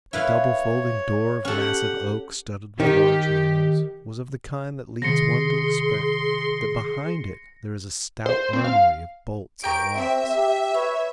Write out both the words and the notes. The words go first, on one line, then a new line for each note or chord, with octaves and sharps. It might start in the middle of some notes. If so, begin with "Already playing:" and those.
The double folding-door of massive oak, studded with large nails, was of the kind that leads one to expect that behind it there is a stout armoury of bolts and locks.
E4 B4 C#5 F5
C#4 G4 A4 F#5
D#3 D#4 G4
C3 D#3 G#4 C6 A#6 C#7
C5
C4
F5
G4 A#4 C#6 D7
C4 E5
G4
B4 C#5